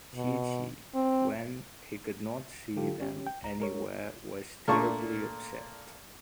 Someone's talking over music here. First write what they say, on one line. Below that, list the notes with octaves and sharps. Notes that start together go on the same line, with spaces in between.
Chee-Chee, when he could not see them anywhere, was terribly upset.
B2
C4
D3 F#3 F4 G4 A4
C#4 G4
G5
C2 A#5
G#3 A#4 C#5
A#2 A3 A#3 D4 A5 C#6